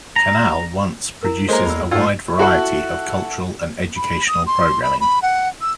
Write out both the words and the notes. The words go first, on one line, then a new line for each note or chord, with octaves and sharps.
Canal Once produces a wide variety of cultural and educational programming.
A#5
E4 A#4
G#3 A#3 F#4 A4 C5 C#5 A#5
E2 B5 E6
G#2 A3 F4 D5 G5 E6
E4 F#4 A4 F#5
B5
D#6
C6
B5
B5
F#5
E6